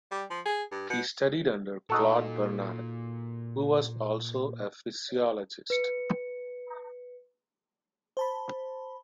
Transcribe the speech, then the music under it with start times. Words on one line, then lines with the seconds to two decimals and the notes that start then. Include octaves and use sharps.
He studied under Claude Bernard, who was also a physiologist.
0.11 G3
0.30 F3
0.45 G#4
0.71 G2
0.90 B2
1.90 A#2 D#4 F#4 A4
5.70 B4 C#7
8.17 C5 A5 B5